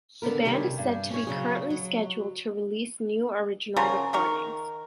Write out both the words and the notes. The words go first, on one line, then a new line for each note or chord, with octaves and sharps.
The band is said to be currently scheduled to release new original recordings.
D3 D#3 B3 A#4
C3 D#3 G3 C#4 G4
G2
C#4 C#5
C#3 F#3 G#4
F#3
C#3 F3 F#4 A#4
D#3 A#4 C#6